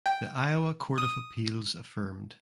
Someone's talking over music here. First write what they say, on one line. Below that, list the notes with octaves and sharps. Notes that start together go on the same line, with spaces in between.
The Iowa Court of Appeals affirmed.
G5
D#6